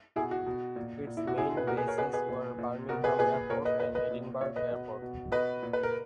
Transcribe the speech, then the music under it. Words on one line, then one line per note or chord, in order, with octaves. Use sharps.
Its main bases were Birmingham Airport and Edinburgh Airport.
B2 E4 G#4
F#4
B2
A#2
A#2
E4
F#4
B2 E4 G#4
B4
A#2 F#4 A#4
G#4 B4
A#4 C#5
B2 G#4 B4
G#4 B4
A#2
A#2
B2 F#4 A#4
G#4 B4
A#2 G#4 B4
A#2 A#4 C#5
B4 D#5
A#2 B4 D#5
B4 D#5
A#2
A#2 C#5 E5
B4 D#5
B2
B2
B2 B4 D#5
A#2
B4
A#4